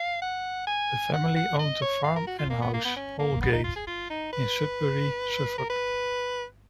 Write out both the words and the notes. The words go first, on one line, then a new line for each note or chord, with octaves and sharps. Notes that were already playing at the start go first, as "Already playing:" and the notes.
The family owned a farm and house, Holgate, in Sudbury, Suffolk.
Already playing: F5
F#5
G#5
F#5
F#5
D#5
C#5
F5
A#4
F#4
F4
A#3
B3
A#3
B3
C#4
A#3
B3
D#4
F4
G#4
F4
D#4
B4
A#4
B4